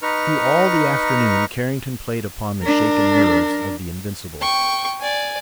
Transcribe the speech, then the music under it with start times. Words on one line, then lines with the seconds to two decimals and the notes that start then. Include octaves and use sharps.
Through all the afternoon Carrington played upon the shaken nerves of the Invincibles.
0.03 D#4 B4 A#5 C#6 F6
2.63 D4 A#4
4.41 G5 C#6
5.01 D5 G#5